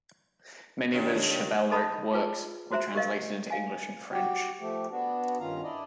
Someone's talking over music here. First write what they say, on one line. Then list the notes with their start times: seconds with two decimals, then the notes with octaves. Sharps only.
Many of his chivalreque works were translated into English and French.
0.93 G2 D#3 D4 C#5
1.71 A4 D#5 A5 B5 D#6
2.13 F4 G#4 B4 A5
2.72 F#4 C5 E5 A#5
2.95 G4 A#4 D#5 F5
3.50 F5 G#5
4.12 F#4 G4 G5
4.60 F3 A3 G4
4.91 B3 D4 F#4
5.40 G2 D#3 C#4 F4 F5 A#5
5.63 D4 E4 D5 D#5